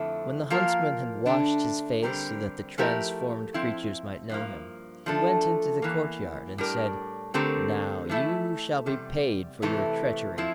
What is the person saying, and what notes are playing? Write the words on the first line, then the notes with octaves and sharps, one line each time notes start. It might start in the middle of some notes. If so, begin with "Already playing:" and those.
When the Huntsman had washed his face so that the transformed creatures might know him, he went into the courtyard, and said: 'Now, you shall be paid for your treachery.'
Already playing: F2 D3 F3 A3 E4
F3 A#3 F4 A#4
D3 A3 D4
D3 G3 C4 G4 A#4
F3 A3 E4 G4 A#4
F3 C4 E4
G2 F3 A#3
F3 A3 D4 A4
E2 E3 A#3
A2 G3 D4 G4 A#4
D3 A3 C4 G4 A#4
E3 A3 E4 A4
E2 C3 G3
C3 E3 A3 E4
F3 C4 E4